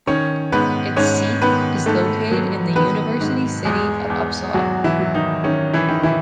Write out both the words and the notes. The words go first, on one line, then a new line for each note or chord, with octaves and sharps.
Its seat is located in the university city of Uppsala.
D#3 C#4 C#5
G#2 B3 B4
G#2 C#4 C#5
D#3 B3 B4
G#2 A3 A4
F#3
D#3 B3 B4
G#2
E2 G#3 G#4
E2
E2 F#3 F#4
E3 E4
F#3
D#3 D#4
D#3 C#4
E3 E4
D#3
E3 E4